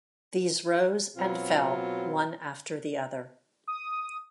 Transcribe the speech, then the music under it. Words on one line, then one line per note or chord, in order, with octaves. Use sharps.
These rose and fell, one after the other.
B2 F#3 C4 F4
D#6